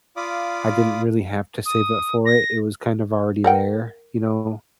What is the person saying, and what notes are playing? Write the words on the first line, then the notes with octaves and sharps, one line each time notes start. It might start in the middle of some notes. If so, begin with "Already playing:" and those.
I didn't really have to save up for it. It was kind of already there, you know,
F4 D5 F5 B5 D6 D#6
D#6
A#6
A#4 F#5 G5